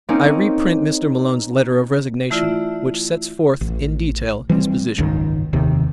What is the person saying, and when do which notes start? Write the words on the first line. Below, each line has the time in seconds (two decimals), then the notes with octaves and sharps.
I reprint Mr. Malone's letter of resignation which sets forth in detail his position.
0.09 A#3 C4 C#4 D#4
2.30 E3 A3 E4 F4 D5 E5
3.61 A1
4.49 E3 G3 G#3 C4
4.98 F#1 C#2 G#2 D#3
5.53 F1 D#2 C3 D#3